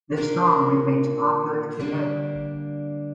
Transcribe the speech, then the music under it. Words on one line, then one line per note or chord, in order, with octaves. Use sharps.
The song remains popular today.
A#2 A#3 D4 F4 A#4
D3 G3 A#3 D4